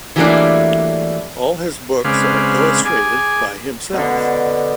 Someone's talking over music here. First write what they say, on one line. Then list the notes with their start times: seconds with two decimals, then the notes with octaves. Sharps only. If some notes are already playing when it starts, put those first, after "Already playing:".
All his books are illustrated by himself.
0.16 E3 F#3 G3 A3 A#3 D4
2.04 C#3 G#3 C4 D4 B4 F5
2.85 G#4 G#5 D6
3.93 B2 D3